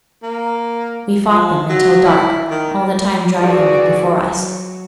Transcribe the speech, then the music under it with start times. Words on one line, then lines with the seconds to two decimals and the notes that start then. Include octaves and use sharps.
We fought them until dark, all the time driving them before us.
0.23 A#3
1.30 F3
1.69 F#3
2.05 E4
2.51 D#3
3.35 E3 F3 G3 F#4 G#4 D5
4.15 F#3